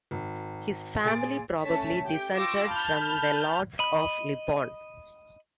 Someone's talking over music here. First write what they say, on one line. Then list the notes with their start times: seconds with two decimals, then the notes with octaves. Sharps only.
His family probably descended from the Lords of Lipporn.
0.11 G#1
1.05 A#2 G#4 A6 D7
1.63 A3 C#4 C#5 A5 B6
2.05 G4 G5
2.35 F4 G5 C#6 D6 E6 A#6
2.69 A5 B5 F6 G6
3.79 D#5 B5